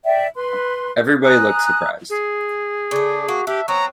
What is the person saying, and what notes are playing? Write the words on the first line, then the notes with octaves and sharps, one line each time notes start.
Everybody looked surprised.
D5 E5 G5
B4 C6
G#5 A#5 D#6 F#6
G#4
C#3 A3 D5
A#3 F#4
D4 G4 E5
F#3 B3 C4 C#5 A#5